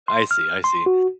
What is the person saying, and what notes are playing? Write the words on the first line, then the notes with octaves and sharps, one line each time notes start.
I see, I see.
C6
F6
C6
F#4